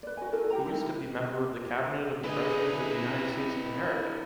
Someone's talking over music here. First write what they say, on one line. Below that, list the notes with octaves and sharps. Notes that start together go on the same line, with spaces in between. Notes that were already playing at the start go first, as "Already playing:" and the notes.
He used to be member of the Cabinet of the President of the United States of America.
B4 D5
F#4 G#5
E4 A4 A#4
G4 G5 A#5
D#4 E4 A#4
D3 E4 G#4 B4 D#5 G#5
C4 B4